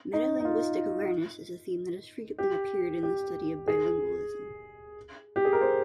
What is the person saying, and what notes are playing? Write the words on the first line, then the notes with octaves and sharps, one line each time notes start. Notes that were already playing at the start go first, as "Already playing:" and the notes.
Metalinguistic awareness is a theme that has frequently appeared in the study of bilingualism.
D#4
D#4
F4
G4
G4
G#4
G4
G#4
A#4
C5